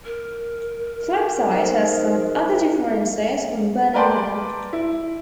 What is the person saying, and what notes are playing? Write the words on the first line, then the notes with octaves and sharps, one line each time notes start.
Flipside has some other differences from Burning Man.
A#4
D#4 C5
A#4 B4 D5 G5 A5 C6
E4